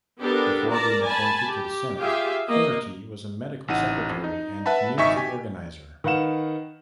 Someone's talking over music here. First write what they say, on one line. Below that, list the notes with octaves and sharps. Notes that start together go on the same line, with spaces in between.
Before being appointed to the Senate, Finnerty was a medical secretary and community organizer.
B3 D4 G4 A4 A#4
A#4 D5 A5 A#5
G#5 A5 B5
G4
F4 G4 G#4 E5 F5
A#3 D#5
A1 D#4 F#5 D#7
F2
D#4
B4 E5 F#5 A5 B5
G#1 D#4 E5 G#5 C#6 B6
G4 G#5
D#3 B4 F5 F#5 E7